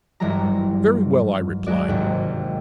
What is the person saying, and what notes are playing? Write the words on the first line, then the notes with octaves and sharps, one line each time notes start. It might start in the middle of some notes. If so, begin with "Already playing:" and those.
"Very well," I replied.
G#1 G2 E3 F#3 G3 A#5
F#3 G#3 F#4 D5
G#1 D#2 G#2 C3